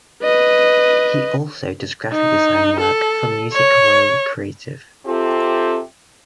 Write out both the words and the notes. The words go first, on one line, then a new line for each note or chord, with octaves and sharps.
He also does graphic design work for Music Row Creative.
B4 D#5
D#4
A4
C#5
C3 C4 F4 G4 A4